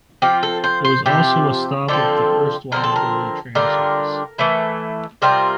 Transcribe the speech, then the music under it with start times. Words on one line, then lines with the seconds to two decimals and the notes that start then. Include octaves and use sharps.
It was also a stop of the erstwhile Delhi Tram Service.
0.22 F3 C4 F4 G4
0.43 A4
0.64 C5
0.85 C5
1.06 C3 F3 C4 G4
1.88 D3 F3 C4 A4
2.72 D3 F3 C4 A#4
2.84 A4
2.96 A#4
3.55 D3 G3 D4 F4 A#4
4.38 E3 A3 E4
5.22 C3 G3 C4 F4 A#4